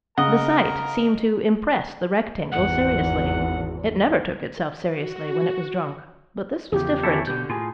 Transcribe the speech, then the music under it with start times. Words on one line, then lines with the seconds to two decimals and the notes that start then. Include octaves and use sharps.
The sight seemed to impress the Rectangle seriously. It never took itself seriously when it was drunk, but this was different.
0.18 C#3 A#4 D#5 F#5 A#5
2.52 G#1 E2 G#2 F#5
4.87 F#4
6.72 E2 C#3 F3 G4
7.03 C#4 E4 A4
7.27 B2 D3 G4 G6
7.50 A2 F4 G#4 G#5